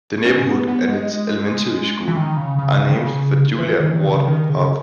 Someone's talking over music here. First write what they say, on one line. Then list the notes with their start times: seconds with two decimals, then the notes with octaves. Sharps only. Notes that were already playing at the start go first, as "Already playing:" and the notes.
The neighborhood and its elementary school are named for Julia Ward Howe.
0.25 C#4
0.47 B3
0.68 B3
0.89 G#3
2.08 E3
2.17 D#3
2.37 C#3
2.59 C#3
2.79 C#3
2.88 D#3
2.97 C#3
3.59 E3
3.80 D#3
3.91 E3
4.00 D#3
4.07 C#3
4.27 D#3
4.49 C#3